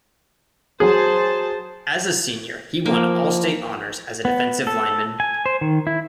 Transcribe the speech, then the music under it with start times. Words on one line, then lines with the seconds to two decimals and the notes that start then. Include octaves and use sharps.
As a senior, he won all-state honors as a defensive lineman.
0.80 F#3 G#4 C5 A5
2.86 F3 A#3
4.25 B3
4.67 A4
5.20 G#5
5.46 C5
5.61 D#3
5.87 E4